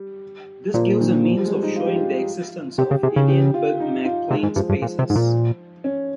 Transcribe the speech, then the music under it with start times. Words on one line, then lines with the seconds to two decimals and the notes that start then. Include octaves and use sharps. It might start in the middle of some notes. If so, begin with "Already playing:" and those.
This gives a means of showing the existence of Eilenberg-MacLane spaces.
Already playing: G3
0.74 A#2 F3
1.00 D#3
1.24 F3
1.38 G3
1.45 G#3
1.50 G3
1.63 D#4
1.76 F4
1.85 G4
1.96 F4
2.78 C3 G4
2.91 C#3
3.03 C3 G#4
3.16 C#3
3.29 G4
3.54 F4
3.80 D#4
4.05 F4
4.30 C3 G#3
4.43 G#2
4.56 G2 F3
4.69 G2
4.82 A#2
4.99 C3
5.10 G#2
5.16 A#2
5.84 C#4